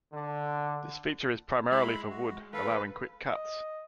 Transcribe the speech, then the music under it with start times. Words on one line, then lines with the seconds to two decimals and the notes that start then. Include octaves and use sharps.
This feature is primarily for wood, allowing quick cuts.
0.13 D3
1.72 G#3 E4 E5 B5
2.10 F#4
2.53 A4 B4 F5
3.29 D#5